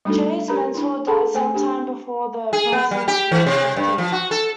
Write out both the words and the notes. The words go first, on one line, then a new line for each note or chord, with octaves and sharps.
Chade's mentor died some time before the apprentice reached fifteen.
G3 A3 D4 D#4 F#4 A4
G4 A#4 B4 A#5 B5
D4 E4
G#4 A4 A5 B5 C6
A3 C5 G5 G#5
D4 G4
G#4
B3
G3
G4
E3
C3
G2
F3
F#4
A4